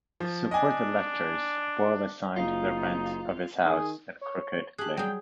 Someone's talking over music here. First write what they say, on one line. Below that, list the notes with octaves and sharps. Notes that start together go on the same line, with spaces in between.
To support the lectures, Boyle assigned the rent of his house in Crooked Lane.
F3
D4 D#5 G#5
F#1 D#4 F4
D#3 G#4
C#5
G4 G#4 A5 F#6
F#3 G3 G#4 G5